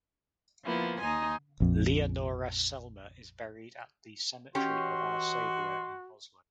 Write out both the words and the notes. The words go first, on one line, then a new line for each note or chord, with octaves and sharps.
Leonora Selmer is buried at the Cemetery of Our Saviour in Oslo.
F3 A#3 B3 E4
D#2 D#4 G#5 C6
A#1 F2
E3 C#4 F#4 G4 C#5 D#5 C6